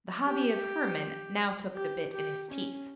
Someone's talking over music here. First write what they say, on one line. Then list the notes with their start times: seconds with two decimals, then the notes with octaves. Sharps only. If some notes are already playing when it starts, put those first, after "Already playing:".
The hobby of Hermann now took the bit in his teeth.
0.24 G4
1.74 G4
2.13 G4
2.51 C#4